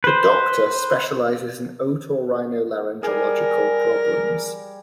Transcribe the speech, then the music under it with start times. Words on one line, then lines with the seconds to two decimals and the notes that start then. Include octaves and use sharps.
The doctor specializes in Otorhinolaryngological problems.
0.04 B4 C5
3.03 G3 G#4 A#4